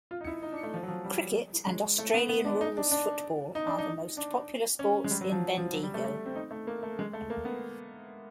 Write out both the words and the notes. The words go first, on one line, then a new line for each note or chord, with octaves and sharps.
Cricket and Australian rules football are the most popular sports in Bendigo.
F4
D#4
E4
D#4
D4
A3
F3
F#3
F3
G3
G#3
A3
B3
B3
D4
D#4
D4
D4
D#4
D4
D#4
D4
C#4
G#3
G3
F#3
F3
F3
F#3
G3
A3
A3
C4
D#4
A3
A#3
A3
G#3
A3
A#3
B3